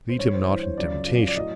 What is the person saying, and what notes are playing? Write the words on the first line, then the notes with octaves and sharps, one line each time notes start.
Lead him not into temptation.
C5
G2 E3 C#5
C5
G2 E3 C5
C#5
F#2 C#3 F3 D5
F#2 C#3 F3
D5
A2 F#3 D#5